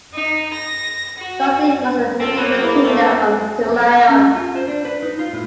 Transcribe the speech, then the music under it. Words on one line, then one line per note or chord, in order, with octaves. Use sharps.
Doti was a medieval kingdom of Kumaon.
D#4
A#6
F#4
F3 C4 C#4 A4
F#3 A#3 B3
E2 E4
A3
C#4
F4
C5
D4
B4
D#4
F4
A2